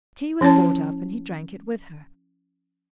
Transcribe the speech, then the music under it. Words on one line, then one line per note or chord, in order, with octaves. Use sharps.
Tea was brought up, and he drank it with her.
F3 C#4 E4 C#5 A5